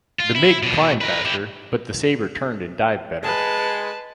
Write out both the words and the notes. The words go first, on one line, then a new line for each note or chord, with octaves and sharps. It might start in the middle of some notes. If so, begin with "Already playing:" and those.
The MiG climbed faster, but the Sabre turned and dived better.
F4
E4
B2 D4
A#4 B4
E4 G4
G#3 B4 A5